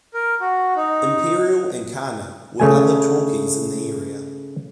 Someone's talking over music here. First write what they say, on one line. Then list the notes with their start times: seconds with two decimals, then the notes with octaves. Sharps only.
"Imperial" and "Khanna" were other talkies in the area.
0.14 A#4
0.41 F#4
0.76 D#4
2.60 C#3 A3 G#5